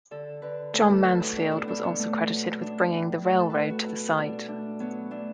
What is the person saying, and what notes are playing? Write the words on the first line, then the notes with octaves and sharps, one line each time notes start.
John Mansfield was also credited with bringing the railroad to the site.
D3 A4
D3 B4
A3 A4
E4
F#3 F#4
E4
B2 D4
E4
B2 D4
B3
A3
F#3
A3 D4
A2
A2 E4
A4
A3 A4 B4
F#4
B2 E4
B2 D4
A3 D4
F#3 B3
A3 D4